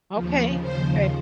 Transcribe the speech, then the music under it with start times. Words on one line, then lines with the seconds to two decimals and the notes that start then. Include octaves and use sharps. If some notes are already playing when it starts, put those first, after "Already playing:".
Okay, okay.
0.15 D#2 C#3 F3
0.63 C5